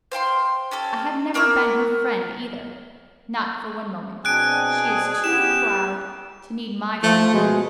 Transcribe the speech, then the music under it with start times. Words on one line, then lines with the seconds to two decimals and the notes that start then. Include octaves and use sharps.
I have never been her friend either, not for one moment; she is too proud to need my friendship.
0.12 C5 F5 G5 C6
0.71 C#4 G4 A4
1.34 A#3 A#4 C#6 E6
4.25 B2 C4 D4 G#4 G#5 F#6 D7
5.24 B3 C#4 G4 E7
7.03 F3 A3
7.34 B2 G#3